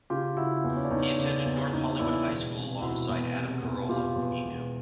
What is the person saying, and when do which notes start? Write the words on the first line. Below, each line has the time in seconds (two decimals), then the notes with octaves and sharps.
He attended North Hollywood High School alongside Adam Carolla, whom he knew.
0.10 C#3 F4 G4
0.37 C#3 E4 F#4
0.64 E2
0.76 C#4
0.83 D4
0.91 E2 C#4 D#4
1.18 C#3 D4
1.45 E2
1.72 E2 C#4 D#4
1.99 E2 D4 E4
2.27 E1
2.55 C3
2.81 E1 E4 F#4
3.09 E2
3.35 C3
3.62 E2
3.89 E2 F4 G4
4.16 E2
4.44 E1